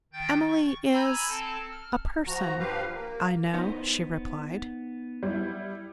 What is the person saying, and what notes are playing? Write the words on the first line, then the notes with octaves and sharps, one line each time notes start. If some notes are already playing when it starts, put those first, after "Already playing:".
"Emily is--a person--I know," she replied.
D#3 G5 G6 A6
C#6
G#5 A#5 B5 E6 G6 G#6
C4 A4 A5
F6
F3 F#4 A#5
G2 F3 G4 B4 F5
A#3
B3 D#4 C5
G3 E4